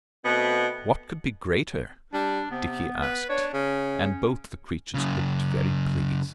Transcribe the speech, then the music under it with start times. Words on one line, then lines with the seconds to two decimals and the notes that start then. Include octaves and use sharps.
"What could be greater?" Dickie asked, and both the creatures looked very pleased.
0.25 B2 A3 B3 C4
2.13 G3 D4
2.51 C3 B3
3.02 B4
3.29 D4 C#5
3.53 C#3 C#4
4.94 F#2 C#3